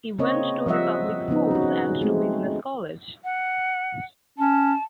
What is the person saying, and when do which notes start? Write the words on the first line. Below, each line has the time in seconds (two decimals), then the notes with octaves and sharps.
He went to the public schools and to business college.
0.19 C#3 A#3 C4 C#5 D#5
0.66 F3 G3 D#5 E5 F#5
1.28 C#3 F3 B3 D#4
1.51 C#4 F#4
2.01 G#3 A3 C4
3.24 F#5
4.38 C#4 A5